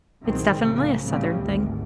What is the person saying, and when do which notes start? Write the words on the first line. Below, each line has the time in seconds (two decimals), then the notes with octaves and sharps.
It's definitely a Southern thing.
0.24 C2 A#2 D#3 F#3 G#3 C4
0.64 A2 C#3 F3 A#3
1.04 A2 C#3 G3 C4
1.44 G#1 D2 G#2